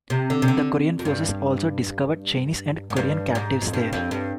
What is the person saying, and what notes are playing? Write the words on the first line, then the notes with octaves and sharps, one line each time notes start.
The Korean forces also discovered Chinese and Korean captives there.
C3
D3
C3
D3
F2
G2
G#2
G2
G#2
F2
G2
F2
G2